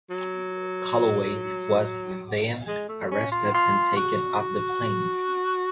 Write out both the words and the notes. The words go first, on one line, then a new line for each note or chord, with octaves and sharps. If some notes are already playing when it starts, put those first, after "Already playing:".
Calloway was then arrested and taken off the plane.
F#3
G#3
A3
C#4
F4
F4
F#4
F#4